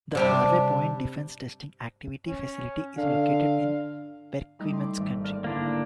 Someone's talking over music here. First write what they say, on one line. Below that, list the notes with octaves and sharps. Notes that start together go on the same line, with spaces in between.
The Harvey Point Defense Testing Activity facility is located in Perquimans County.
C3 G3 D4
C#4
D3 F5
G3 A3 D#4
C6 D6
G#1 A3
A#3 D5 F6
D3 A#3 D4 E4 C6